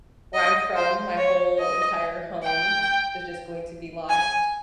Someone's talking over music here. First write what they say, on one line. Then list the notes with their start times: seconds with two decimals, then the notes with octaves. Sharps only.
where I'm from, my whole entire home is just going to be lost
0.34 D#5
0.76 C5
1.17 C#5
1.59 D#5
2.43 G5
4.09 G#5